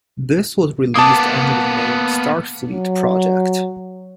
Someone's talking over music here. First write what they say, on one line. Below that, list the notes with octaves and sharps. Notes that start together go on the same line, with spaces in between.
This was released under the name "Star Fleet Project".
A#3 B3 A5 D6 D#6
F#3